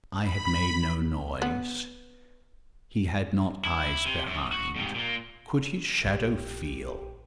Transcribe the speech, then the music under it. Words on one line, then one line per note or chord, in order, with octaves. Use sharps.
I had made no noise: he had not eyes behind--could his shadow feel?
B5
B3
E4
C3
F#2
F#4
G#2 C3
A#2 A#3
A#1 G4